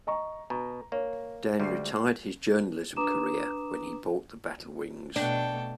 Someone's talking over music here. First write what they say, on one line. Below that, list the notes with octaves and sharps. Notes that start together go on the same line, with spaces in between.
Dan retired his Journalism career when he bought the Battle Wings.
D#5 A#5 C#6
B2 A#5
A#3 C#5
D2 G3 G#3 C7
D4 B4 A#5 D6 D#6 E7
B2 A3 D4 G5 A5